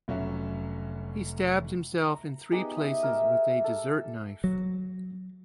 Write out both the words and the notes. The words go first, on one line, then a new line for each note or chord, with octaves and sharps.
He stabbed himself in three places with a desert knife.
F1 F#3 C#4 E5
A#5
B3 D#4 G4 G#4
D#5 E5 D#6
A#4 E5
A4
F#3